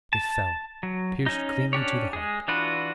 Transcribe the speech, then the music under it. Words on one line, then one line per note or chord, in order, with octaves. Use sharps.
It fell, pierced cleanly to the heart.
A5
F#3
C#4 D#4
C#4 D4 G4 C#5
G#3 G#4
E3 D4 F4 F#4 B4